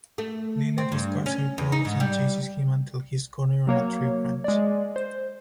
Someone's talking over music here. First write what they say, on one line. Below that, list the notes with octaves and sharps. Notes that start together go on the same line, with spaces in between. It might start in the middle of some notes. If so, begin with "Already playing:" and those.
Lila discards her clothes and chases him until he's cornered on a tree branch.
A3
C4
G2
C#4
E2
D#4
G#2
G3
F#3 A#3 C#5
G#3 D5
C5